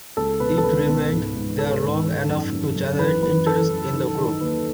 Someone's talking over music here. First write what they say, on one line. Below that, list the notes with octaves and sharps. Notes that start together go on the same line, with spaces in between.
It remained there long enough to generate interest in the group.
C#2 A4
B2 B4
A4
C#2 B4
B2
G#2
G#2
D#3 A4
G#2
D#3
F#2
F#2
F#2
E3 B4
F#2 B4
E3 A4
F#2
D#3
D#3
D#2 B4